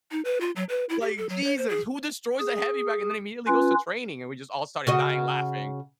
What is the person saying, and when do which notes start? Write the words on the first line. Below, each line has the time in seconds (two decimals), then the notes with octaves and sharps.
Like, Jesus, who destroys a heavy bag and then immediately goes to training, and we just all started dying laughing,
0.11 D#4
0.25 B4
0.41 F4
0.56 F#3
0.69 B4
0.89 E4
1.01 G4
1.17 A4
1.29 F#3
1.44 C#5
1.57 C5
1.69 G#4
2.39 G#4
3.47 C#4 F4 B4
4.87 C#3 F#4 D#5